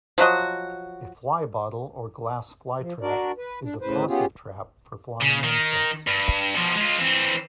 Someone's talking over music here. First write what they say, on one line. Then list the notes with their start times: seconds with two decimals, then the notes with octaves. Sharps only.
A fly bottle or glass flytrap is a passive trap for flying insects.
0.18 F3 F#3 F#4 D#5
2.80 F3
3.01 D4 F#4 A#4 D5
3.37 B4
3.63 D4
3.81 A2 C#3 B4 C5
4.08 B3 C#4 F4 G4 G#4
5.21 C#3
5.44 D#3
6.07 G2
6.55 B2 F3
6.76 G#3 F4
6.99 E3 C4